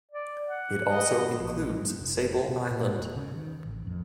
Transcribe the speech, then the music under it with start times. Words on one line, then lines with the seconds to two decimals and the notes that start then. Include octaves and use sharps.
It also includes Sable Island.
0.11 D5
0.48 F#5
0.91 D#5
1.39 A#1
1.79 G2
1.99 F1
2.48 B2
2.71 A#2
2.98 E1
3.16 C#3
3.35 D#3
3.66 A1
3.87 F2